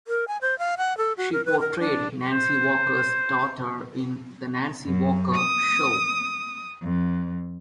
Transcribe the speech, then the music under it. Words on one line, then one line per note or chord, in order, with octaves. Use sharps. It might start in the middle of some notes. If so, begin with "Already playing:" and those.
She portrayed Nancy Walker's daughter in "The Nancy Walker Show".
A#4
G#5
C5
F5
F#5
A4
F#4
A#4
B4
A#4
D4
C5
F#2
D#6
F2